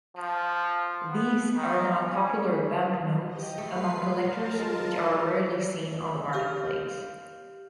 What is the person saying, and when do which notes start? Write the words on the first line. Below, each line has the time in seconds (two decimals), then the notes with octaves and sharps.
These are now popular banknotes among collectors which are rarely seen on the marketplace.
0.17 F3
1.10 B3
1.56 D#3
2.05 C#4
3.26 G4 D#5
3.58 A3 B4 C7
3.92 F4
4.25 F#3 F4 A#4 A5
4.58 F3 G#3
6.33 G4 F5 F6 G6